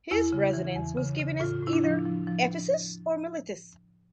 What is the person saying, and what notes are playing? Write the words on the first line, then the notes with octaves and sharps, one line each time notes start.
His residence was given as either Ephesus or Miletus.
E2 E4
C#3
E3
E2
C#3
C#3
A2 F4
A2 E4
D4
F3
F3
F3